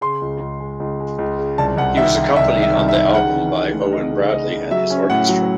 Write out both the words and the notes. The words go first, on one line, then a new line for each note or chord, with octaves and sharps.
He was accompanied on the album by Owen Bradley and His Orchestra.
C#3 C6
C#2
C#2
G#3
C#2
G#3
C#2
C#3
C2 A5
C2 F#5
D#3 E5
D#3
C2 E5
D#3
E5
C2
E5
D#3
C#3 F#5
E3
C#3
A3
C#3 D#5
C#3
C#3 D#5
C#3
F#3 E5
C#4
A2 F#5
F#3